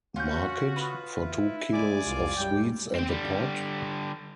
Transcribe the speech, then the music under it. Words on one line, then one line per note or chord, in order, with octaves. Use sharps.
Market? For two kilos of sweets and a pot!
C#4 F4 F#4 F#5 G6
F4 B4 B5 D#6
E4
G#3 D5 G#5 D6
C2 F4
F#2 G3 G5
C4 G5
D3 G3